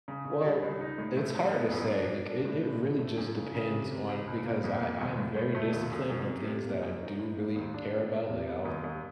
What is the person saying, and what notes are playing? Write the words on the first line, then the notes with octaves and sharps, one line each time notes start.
Well, it's hard to say. Bec it it really just depends on because I I'm very disciplined on things that I do really care about. Like, I'll
C#3
C#3
G3
C#2
D#4
A2
A3
G#2
B3
F#2
D4
B2
D4
A2
C#2
C#2
A3
F#2
C#3
C#3
C3
C3
C#2
C#2
A#3
F2
A#3
D#2
A2
A2
A3
D#2
F#2
F#2
C3
C3
A#3
F#2
D#4
A2
A#3
D#2
D4
B2
A#3
C3
B3
D#2
D#2